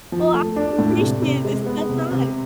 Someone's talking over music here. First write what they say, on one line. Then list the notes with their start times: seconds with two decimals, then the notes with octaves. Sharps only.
Well, I appreciated this, so fun
0.12 F3
0.34 A3
0.56 D4
0.78 A2
1.01 C3
1.22 C3
1.45 G#3
1.66 B3
1.89 C3
2.11 C3